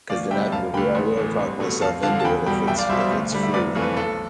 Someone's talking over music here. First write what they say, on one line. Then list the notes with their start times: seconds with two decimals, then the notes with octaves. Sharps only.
'cause inevitably, I will talk myself into it if it's if it's free.
0.10 D2 D5 F5
0.30 C3 G3 E5 G5
0.52 E1 F5 A5
0.74 D2 D3 G5 B5
0.95 A1
1.17 A2 E3
1.39 C2
1.60 B2 A3
1.81 F2 F5 A5
2.03 D3 F3 F5 A5
2.20 A5
2.25 E2 G5 B5
2.46 B2 G3 G5 B5
2.67 B1 E5 G5
2.78 D5 F5
2.89 G3 C5 E5
2.92 B2
3.00 C5 E5
3.11 D2
3.32 D3 G3
3.42 E5
3.54 F1 B4 D5
3.75 F2 E3 A3
3.82 B4
3.97 B1 A4